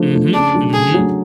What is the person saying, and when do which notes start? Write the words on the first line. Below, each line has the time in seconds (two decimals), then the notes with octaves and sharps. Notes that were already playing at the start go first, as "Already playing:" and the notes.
Mhm, mhm.
Already playing: F3 A3 D4
0.14 A3 D4
0.34 C#3 D4
0.54 F#3 A3 D4
0.74 C#3 G#4
0.94 F#3 A3 D4